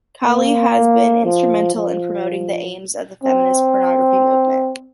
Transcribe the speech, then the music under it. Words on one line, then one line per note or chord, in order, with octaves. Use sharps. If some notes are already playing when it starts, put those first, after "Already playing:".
Kali has been instrumental in promoting the aims of the feminist pornography movement.
A#3
F3
F3
C4